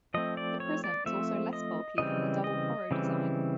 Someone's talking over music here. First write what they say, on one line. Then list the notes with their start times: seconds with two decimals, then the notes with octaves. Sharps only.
The prism is also less bulky than the double Porro design.
0.14 F3 A3 C4 D#5
0.37 D5
0.60 C#5
0.84 D5
1.06 F3 A3 C4 E5
1.53 D#5
1.98 C#3 E3 G3 C4 D#5
2.44 D#5
2.91 C#3 E3 G3 C4